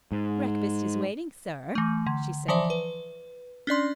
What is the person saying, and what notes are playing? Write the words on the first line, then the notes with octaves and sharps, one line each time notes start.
"Breakfast is waiting, sir," she said.
G#2
E3 A3
D3
E3 F3 C5 D5 E5
B4
C#4 D4 D5 C6